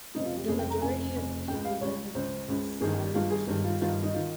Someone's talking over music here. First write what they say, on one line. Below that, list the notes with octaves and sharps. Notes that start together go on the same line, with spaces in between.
The majority of the people live in Sarikei town.
F1 F2 C#3 D#4
F4
G4
F1 F2 C#3 G#4
G5
A#5
F1 F2 C#3 G#5
F1 F2 C#3
C#2 C#3 G5
F5
C#2 C#3 C#5
C#2 C#3 C5
C#2 C#3
G1 G2 D#3 G#4
G4
G1 G2 D#3 F4
G#4
G1 G2 D#3 G4
F4
G1 G2 D#3 F4
D#4
D#3 F4